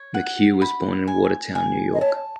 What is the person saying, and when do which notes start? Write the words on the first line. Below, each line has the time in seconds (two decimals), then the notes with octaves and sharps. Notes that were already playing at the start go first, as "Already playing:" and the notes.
McHugh was born in Watertown, New York.
Already playing: C#5
0.14 F#5
0.62 B5
1.07 G#5
1.55 G#5
1.94 D#5
2.01 C#5 A5